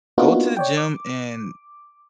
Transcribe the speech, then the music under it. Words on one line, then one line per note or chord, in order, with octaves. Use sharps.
"Go to the gym and
A#3 B3 D4 D#4 F4 F#4
C#5 D5 G5
D6